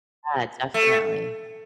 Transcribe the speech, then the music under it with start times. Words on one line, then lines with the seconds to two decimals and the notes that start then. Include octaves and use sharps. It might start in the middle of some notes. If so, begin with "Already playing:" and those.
Yeah, definitely.
0.74 A3